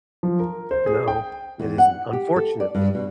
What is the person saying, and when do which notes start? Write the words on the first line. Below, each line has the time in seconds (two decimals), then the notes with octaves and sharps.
No, it isn't. Unfortunately
0.23 F3
0.39 A#4
0.71 C5
0.86 G#4
1.08 G5
1.59 E2
1.78 F#5
2.13 G4
2.36 A4
2.60 D5
2.75 G2
2.95 B2